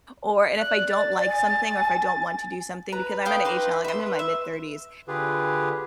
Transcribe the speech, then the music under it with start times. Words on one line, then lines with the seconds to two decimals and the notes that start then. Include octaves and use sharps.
or and if I don't like something or if I don't want to do something, because I'm at a age now, like I'm in my mid-thirties,
0.59 D5 F#6
0.89 A6
1.26 G#5
2.92 B4 A#5
3.25 F5 G5 D#6
3.45 D#4 C6 D6
3.84 E5 C6
4.19 E5
5.08 D3 F4 G4 G#4 B4